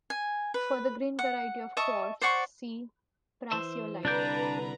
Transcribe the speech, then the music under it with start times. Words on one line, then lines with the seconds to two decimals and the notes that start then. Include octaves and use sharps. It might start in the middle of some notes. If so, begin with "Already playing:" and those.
For the green variety of quartz see prasiolite.
0.10 G#5
0.54 B4
1.19 F#5
1.77 D#5 E5 A5 C#6
2.21 C5 D5 F#5 C#6
3.52 E3 C5 E5
4.05 C2 D3 D4 B4 D5 A#5 G6